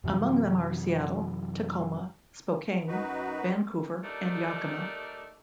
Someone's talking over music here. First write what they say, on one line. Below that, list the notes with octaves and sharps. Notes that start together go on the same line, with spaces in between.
Among them are Seattle, Tacoma, Spokane, Vancouver, and Yakima.
F#2 C3 E3 F#3
F#2 D#4 F#4 B4
A3 D4 D#4 G4 A#4